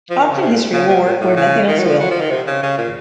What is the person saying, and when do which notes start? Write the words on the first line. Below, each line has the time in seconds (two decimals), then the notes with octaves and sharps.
Often history will work where nothing else will.
0.10 F3
0.20 D#3
0.30 C#3
0.42 C3
0.52 A#2
0.73 C#3
0.88 C3
1.04 A#2
1.21 A2
1.36 C#3
1.68 D#3
1.78 F#3
1.84 F3
1.99 F#3
2.10 F3
2.21 D#3
2.30 C3
2.47 C#3
2.63 C#3
2.78 A#2